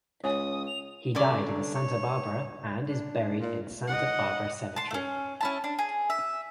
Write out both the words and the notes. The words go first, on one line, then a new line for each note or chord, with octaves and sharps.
He died in Santa Barbara and is buried in Santa Barbara Cemetery.
C#2 C#5 G#5 D#6
F7
G2 D3 C#4 D5
C#5
D4
A#2
D#5 F#5
A5 C6
A3 C#4
C#4 E4 A5
D4
G#4
E5